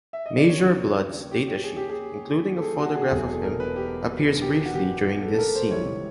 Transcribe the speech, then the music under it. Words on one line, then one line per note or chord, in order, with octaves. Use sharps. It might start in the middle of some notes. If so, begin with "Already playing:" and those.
Major Bludd's data sheet, including a photograph of him, appears briefly during this scene.
E5
D#5
D5
D#2 C#3 F3 A#3 C#5
G4
G4
G#4
G4
G#4
A4
G#4
F#4
G#4
G4
E1 E2 B2 F#3 A3 G#4
A4
A#4
B4
G4
G4
F#4
G4
A4
A4
A#4
C5
C#2 C3 E3 G3 C#5